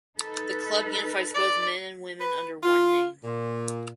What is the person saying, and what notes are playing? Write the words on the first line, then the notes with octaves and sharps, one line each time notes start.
The club unifies both men and women under one name.
D#4 A4 B4
D5
B4
F4
A#2